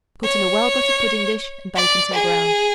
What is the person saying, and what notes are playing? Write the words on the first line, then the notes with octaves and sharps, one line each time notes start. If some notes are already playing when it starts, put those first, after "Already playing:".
Put in a well-buttered pudding-dish and bake until brown.
C#5
D5
G#4